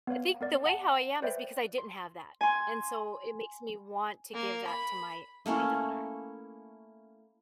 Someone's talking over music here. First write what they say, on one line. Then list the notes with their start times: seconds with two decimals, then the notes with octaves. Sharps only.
I think the way how I am is because I didn't have that, and so it makes me want to give that to my my daughter.
0.07 B3 B4 C#5 F5
0.41 B3 A#4 D5
0.65 F#5 A5
1.22 B4 C5 D5 E5 G5
1.78 C6
2.41 G#5 C6
4.34 A#3
4.67 B5
5.46 A3 A#3 C#4 E4